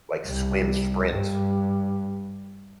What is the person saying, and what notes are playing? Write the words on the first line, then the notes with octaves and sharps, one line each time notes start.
like swim sprint
C2
G2